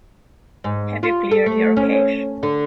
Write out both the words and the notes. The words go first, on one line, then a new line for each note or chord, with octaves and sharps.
Have you cleared your cache?
G#2
F4
A4
A3
C#4
D3